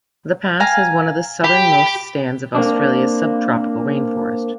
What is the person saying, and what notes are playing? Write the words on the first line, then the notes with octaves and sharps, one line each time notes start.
The pass has one of the southernmost stands of Australia's sub tropical rainforest.
F5 G#5 A#5
G4 B5
A#3 C4 D4